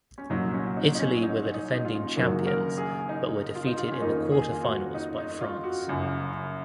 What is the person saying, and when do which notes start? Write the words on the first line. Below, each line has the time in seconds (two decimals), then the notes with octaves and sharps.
Italy were the defending champions but were defeated in the Quarterfinals by France.
0.18 C#4
0.30 C2 A#2 F#3 D#4
0.54 C#4
0.77 D#4
0.95 D#4
0.99 C#4
1.23 D#4
1.54 D#4
1.74 D#4
1.85 F4
2.16 F#1 F#2 D#3 F#3 A#3 F#4
2.47 A#4
2.78 G#4
3.09 D#4
3.55 F4
3.67 D#4
3.78 F4
3.92 C#4
4.01 F2 D#3 A#3 D#4
4.32 G#4
4.52 F4
4.63 F#4
4.95 D#4
5.18 D#4
5.41 F4
5.64 F#4
5.87 F#1 F#2 C#3